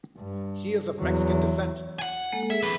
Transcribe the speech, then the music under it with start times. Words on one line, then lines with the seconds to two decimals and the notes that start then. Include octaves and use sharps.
He is of Mexican descent.
0.19 G2
1.00 E2 F#3
1.99 F#5 G#5
2.32 G#3 A#3 A4
2.50 G#4 E5
2.63 F2 B4